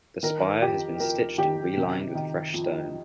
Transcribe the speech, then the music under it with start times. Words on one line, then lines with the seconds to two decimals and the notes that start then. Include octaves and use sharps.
The spire has been stitched and relined with fresh stone.
0.23 D#3 A#4
0.62 F2 G4
1.00 F2 A#4
1.38 D#3 G4 G5
1.77 C3
2.15 D#3
2.54 F2